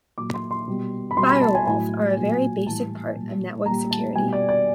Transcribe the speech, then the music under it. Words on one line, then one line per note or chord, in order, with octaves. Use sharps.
Firewalls are a very basic part of network security.
A#2 F#3 D6
C6
C6
B2 G3
B5
B2 G3 C6
B5
A5
G#5
A2 F#3 G#5
A#2 F#3
A2 E3 G3 A5
A#2 G3
A#2 G3 A#5
A5
B2 G3 G#5
D5
D5